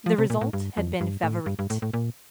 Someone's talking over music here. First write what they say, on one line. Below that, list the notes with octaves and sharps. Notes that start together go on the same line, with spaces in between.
The result had been Favourite.
F3
C3
A#2
A2
G2
F2
G2
A2
G2
G2
A2
A2
A#2